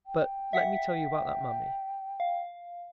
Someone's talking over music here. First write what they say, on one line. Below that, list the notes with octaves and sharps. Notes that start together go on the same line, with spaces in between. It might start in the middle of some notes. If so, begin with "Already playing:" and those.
But let me tell you about that mummy.
G5
E5 F#5 B6
F5